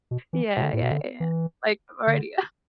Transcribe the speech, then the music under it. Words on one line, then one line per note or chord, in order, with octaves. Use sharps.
Yeah, yeah, yeah, yeah, like, already up.
B2
E3
B2
D3
A2
B2
D3
E3
D3